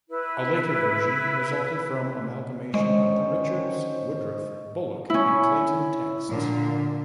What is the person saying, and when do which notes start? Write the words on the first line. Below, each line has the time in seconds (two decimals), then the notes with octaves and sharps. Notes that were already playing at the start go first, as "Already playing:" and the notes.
A later version resulted from amalgamation of the Richards, Woodruff, Bullock and Clayton texts.
0.09 E4 B4
2.74 D3 D#3 G#3 C#4 C5 D#5 C#6
5.10 C#4 E4
6.29 A#2 D3